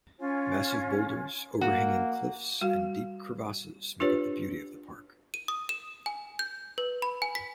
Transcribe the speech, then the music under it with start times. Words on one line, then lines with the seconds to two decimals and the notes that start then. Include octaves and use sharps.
Massive boulders, overhanging cliffs and deep crevasses make up the beauty of the park.
0.19 C#4 F4 C#5 G#5
1.61 A#3 F#4
2.61 G3 F#4 F5
4.00 D4 F4 G4 B4 C#5
5.34 D#7
5.48 D#6
5.69 E7
6.06 G#5
6.39 G6
6.78 B4
7.02 B5
7.22 G#5
7.35 B6